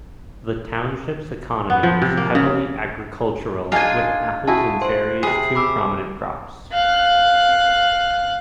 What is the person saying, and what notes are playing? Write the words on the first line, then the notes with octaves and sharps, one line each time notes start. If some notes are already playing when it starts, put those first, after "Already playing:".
The township's economy is heavily agricultural, with apples and cherries two prominent crops.
B3
F3
C3
A#3
C#3
D4 D#4 F4 G#4 G#5
E4 F#4 G#4 A5
C5 C6
C3 G#4 B4 C7
B5 D6 E6
F5 F#6